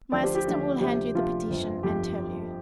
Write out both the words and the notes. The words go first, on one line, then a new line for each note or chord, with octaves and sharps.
"My assistant will hand you the petition and tell you."
D2 D3 F3 A4 D5
G4 C5
G4
D2 D3 F3
D2 C3 F3 G4
D2 C3 F3 F4
G1 F2 F3
G1 F2 F3 G4